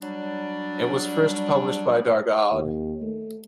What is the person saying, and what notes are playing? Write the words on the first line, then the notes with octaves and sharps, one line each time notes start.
It was first published by Dargaud.
F#3 G3 D4
D#2
A3